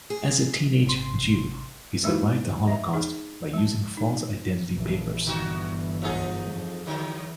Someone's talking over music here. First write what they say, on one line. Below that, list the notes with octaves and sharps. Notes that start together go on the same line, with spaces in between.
As a teenage Jew, he survived the Holocaust by using false identity papers.
G#4
G#1 C3 C6
G#3 A#3 D#4 E4 F#4
D#5 E5 A#5
D#4 G#4
G#3 A5
D#4
A#1 E3
G1 D3 E3 F#4
F3 D#4 G#4
F2
D3 E3 F#3